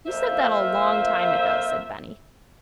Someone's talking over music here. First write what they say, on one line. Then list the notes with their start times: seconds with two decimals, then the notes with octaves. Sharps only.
"You said that a long time ago," said Benny.
0.06 F2 A#3 F4 C5 E5